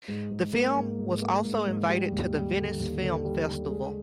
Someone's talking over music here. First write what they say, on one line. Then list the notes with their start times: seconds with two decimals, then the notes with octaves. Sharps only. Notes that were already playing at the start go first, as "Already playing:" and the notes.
The film was also invited to the Venice Film Festival.
0.08 G#2
0.31 G#2
0.54 A#3
0.76 G#2
0.99 G#2
1.22 A#3
1.44 G#2
1.66 G#2
1.89 G3
2.12 D#2
2.34 G3
2.57 D3
2.80 D#2
3.02 D3
3.24 G3
3.47 D3
3.70 G#3